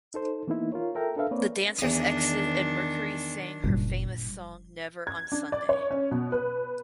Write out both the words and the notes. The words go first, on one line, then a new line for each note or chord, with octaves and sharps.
The dancers exited and Mercouri sang her famous song "Never on Sunday".
D#4 A4 C5
E3 A#3 B3 D#4 E4
F4 A#4 C#5
A4 A#4 E5 G5 A#5
D4 A4 B4 E5 F5
A#3 C4 B4 C#5 D5
E2 D#3 D4 D#6
F#1 A#2 G3
G#6
D4
D5
C#5
C#4
B2
B4